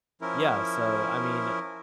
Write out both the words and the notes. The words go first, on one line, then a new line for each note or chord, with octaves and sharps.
Yeah, so, I mean,
F3 C#4 E4 A#4